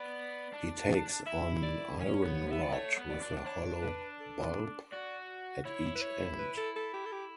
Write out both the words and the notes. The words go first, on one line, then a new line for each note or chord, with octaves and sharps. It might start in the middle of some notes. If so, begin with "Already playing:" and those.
He takes an iron rod with a hollow bulb at each end.
Already playing: B3 D5
D4
E4 E5
D5
C#4 C#5
B3
B3 E5
D5
A3 C#5
B3
D5
D4
D4 C#5
B4
A4
F#4 D5
E4 C#5
B4
C#5
B4
A4
A4
G4
A4
G4